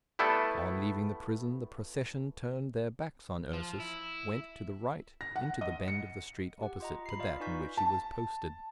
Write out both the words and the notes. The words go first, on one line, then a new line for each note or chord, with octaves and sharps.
On leaving the prison, the procession turned their backs on Ursus, went to the right, into the bend of the street opposite to that in which he was posted.
G3 A3 B3 E4 A4
F3
E4
A#6
F#5
D#5
C#7
G4 F#5
F4 D#5 A#5
B5 C7
F4 D5 D#5 F5 B5
D#4 B4 G#5 C#6 G6 B6
A5